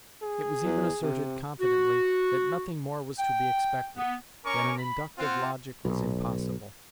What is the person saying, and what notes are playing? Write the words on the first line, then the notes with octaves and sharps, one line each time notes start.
It was even asserted confidently, that nothing more was to be expected,--that an inductive logic was impossible.
G#4
E2
C3
F#4
G5
B3
C#4 A#4 G#5 A#5 C#6 D6
B5
C4 F4 F#5
B1